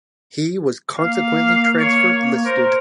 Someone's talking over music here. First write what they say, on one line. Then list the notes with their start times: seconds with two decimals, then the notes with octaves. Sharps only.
He was consequently transfer listed.
0.99 A#3 F5
1.79 C#5
2.45 A#4 C5